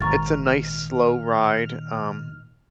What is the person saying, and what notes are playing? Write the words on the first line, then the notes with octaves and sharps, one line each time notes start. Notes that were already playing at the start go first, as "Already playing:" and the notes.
it's a nice slow ride, um,
G#1 A#2 D#3 A#5 C#6 F6 A6